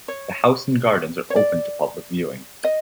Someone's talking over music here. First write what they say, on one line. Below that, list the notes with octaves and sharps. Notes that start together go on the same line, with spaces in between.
The house and gardens are open to public viewing.
C#5
C#5
D5
D#5